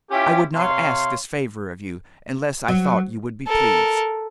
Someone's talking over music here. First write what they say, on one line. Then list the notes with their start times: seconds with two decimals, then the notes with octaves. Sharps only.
I would not ask this favour of you unless I thought you would be pleased.'
0.10 C#4 E4 F4 G4
0.55 C3 C#5 F5 C6
2.68 F#3
3.48 A4 A#4